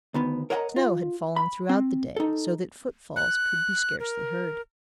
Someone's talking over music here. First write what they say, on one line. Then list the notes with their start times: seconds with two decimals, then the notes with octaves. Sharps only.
Snow had fallen throughout the day, so that footfalls could be scarcely heard.
0.14 D2 D#3 B3
0.50 A#4 C#5 D#5 F#5 G#5 A#5
0.76 F4
1.36 B5
1.69 C4
2.16 D#4 A4
3.16 F#6
4.00 A#4